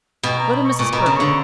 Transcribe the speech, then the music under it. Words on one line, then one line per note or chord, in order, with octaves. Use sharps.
Go to Mrs. Perkin.
B2 G5
A#5
B5
C#6
A#2 C#6
B2 A#5
C#3
D3 C#6